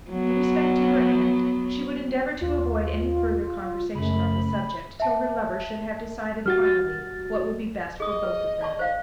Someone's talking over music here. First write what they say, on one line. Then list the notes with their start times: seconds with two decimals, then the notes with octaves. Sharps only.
In respect to her aunt, she would endeavour to avoid any further conversation on the subject till her lover should have decided finally what would be best for both of them.
0.11 F#3 B3
2.41 D#2 F4
3.95 F#2 C#3 A3 B5
5.00 E5 A5
6.46 G3 F#4 F6 A6
8.00 G#4 D#5 D#6
8.23 B4
8.61 D5 A5 C#6
8.79 C5 F5